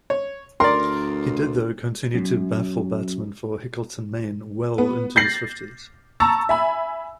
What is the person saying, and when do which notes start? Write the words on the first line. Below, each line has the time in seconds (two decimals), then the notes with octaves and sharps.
He did, though, continue to baffle batsmen for Hickleton Main well into his fifties.
0.10 C#5
0.60 D2 A#4 D5 C6
2.14 F#2
4.78 B3
5.16 G6 A6 A#6 C7 F#7
6.20 A5 A#5 C#6 E6 A6
6.49 E5 G#5 B5